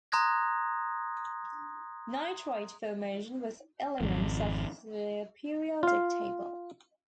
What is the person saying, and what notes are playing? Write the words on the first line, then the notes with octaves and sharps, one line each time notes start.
Nitrate formation with elements of the periodic table.
A#5 C6 D#6 F#6 G#6 A#6
G#1 F2
F4 F5